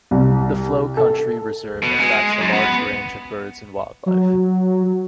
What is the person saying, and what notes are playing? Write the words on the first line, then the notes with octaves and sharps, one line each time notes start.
The Flow Country reserve attracts a large range of birds and wildlife.
C2
A4
B2
G#3
F#2
B3
F#3